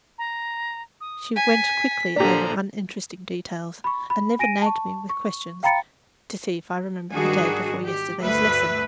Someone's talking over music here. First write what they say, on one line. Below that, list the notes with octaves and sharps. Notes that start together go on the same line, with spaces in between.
She went quickly over uninteresting details, and never nagged me with questions to see if I remembered the day-before-yesterday's lesson.
A#5
D#6
G#5 B6
A#2 D3 F3 D4 G4 A#5
B5 C#6
B5
G#5 A#6 D7 D#7
A5 C#6
C#6
F5 G5 A#5 B5 A6 C#7
G#2 D#3 G3 D4 F#4 G#4
G4
D2 G2 A3 B4 E5